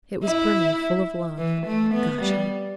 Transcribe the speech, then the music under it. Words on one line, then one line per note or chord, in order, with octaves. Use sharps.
It was brimming full of love--Gosh, honey!
E4
E3
A3
B3
G3